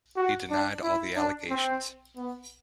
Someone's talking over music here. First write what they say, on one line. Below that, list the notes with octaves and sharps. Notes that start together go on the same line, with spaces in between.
He denied all the allegations.
F#4
D4
E4
D4
C4
B3